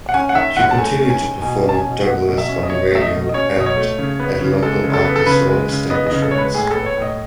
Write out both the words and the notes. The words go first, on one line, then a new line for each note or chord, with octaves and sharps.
She continued to perform with Douglas on the radio and at local Arkansas establishments.
F#5
C#4 G#5
F#5
D#3 E5
F#2 F#5
A5
A3 G#5
C#4
G#5
D#3
B2 G#5
C#4
A5
G#5
B2
A3 F#5
B2
E5
C#4
D#5
B2 C#5
A3 E5
D#5
B2
D#5
C#4 C#5
B2
D#5
C#5
A3
C#3
B3
C#3
G#3 A4
C#3
A4
B3
A4
C#3 B4
G#3
C#3
B3 D#5
D#5
C#3
A4
G#3 C#5
B4
A2 G#4
B3 A4
C#5
A2 D#5